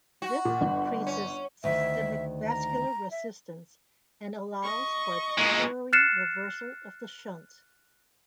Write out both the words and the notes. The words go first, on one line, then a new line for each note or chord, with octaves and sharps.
This increases systemic vascular resistance and allows for a temporary reversal of the shunt.
F#4
A#2
G1
C#4
D2 D#3 E5
A#5
E5
D#5 C#6
A#2 G#3
F6 F#6 A6 C7 C#7 E7